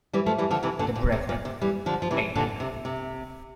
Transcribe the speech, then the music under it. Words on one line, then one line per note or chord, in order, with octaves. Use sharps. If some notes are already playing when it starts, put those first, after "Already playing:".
The Brethren: Amen.
E3 G3
F3 A3
E3 G3
D3 F3
C3 E3
A#2 D3
A#2
C3
A#2
C3
E3 G3
D3 F3
F3
C3 E3
A#2 D3
C3
C3